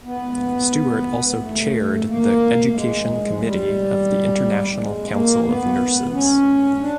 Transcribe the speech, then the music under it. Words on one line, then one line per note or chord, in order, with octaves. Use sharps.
Stewart also Chaired the Education Committee of the International Council of Nurses.
B3
A3
A#3
A3
G#3
F3
F#3
G3
G#3
A#3
B3
C#4
D4